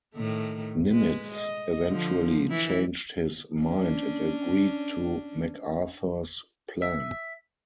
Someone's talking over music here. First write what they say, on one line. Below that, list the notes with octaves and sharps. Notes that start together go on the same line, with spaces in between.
Nimitz eventually changed his mind and agreed to MacArthur's plan.
A2 D#3 A3
G#3 B4
D#5
D3 F3
E3 E4
C#4 D4
E5